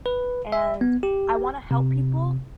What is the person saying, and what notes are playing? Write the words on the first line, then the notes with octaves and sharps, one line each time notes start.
and I wanna help people,
B4
E5
B3
G4
C3